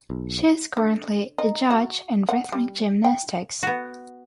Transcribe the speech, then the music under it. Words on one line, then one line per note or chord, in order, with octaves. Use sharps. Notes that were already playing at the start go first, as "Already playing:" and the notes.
She is currently a judge in rhythmic gymnastics.
B1
D3
D#4
F#4
F#5
G3
G5
B3 F#4